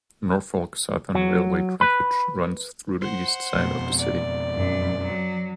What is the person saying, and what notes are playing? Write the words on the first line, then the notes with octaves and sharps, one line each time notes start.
Norfolk Southern Railway trackage runs through the east side of the city.
F#3
B4
C5 F#5
F2 B2
D5
F#2
F#3